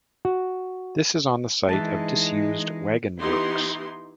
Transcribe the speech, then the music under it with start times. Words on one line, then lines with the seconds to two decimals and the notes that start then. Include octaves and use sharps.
This is on the site of disused wagon works.
0.25 F#4
1.69 E3 G#3 D#4 A5
3.19 E3 B3 D#4 E4 G4 C6